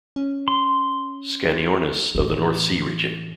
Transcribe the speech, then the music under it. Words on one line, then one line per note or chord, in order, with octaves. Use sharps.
"Scaniornis" of the North Sea region.
C#4
C6
A2 E3